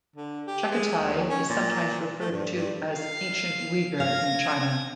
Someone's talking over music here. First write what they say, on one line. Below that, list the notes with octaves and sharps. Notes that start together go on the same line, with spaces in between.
Chagatai is sometimes referred to as ‘ancient Uyghur’ in China.
D3
G4
G#3
D#2
C#4
A#2
A3
G2
G2
F5 C7
F5 G#6 A#6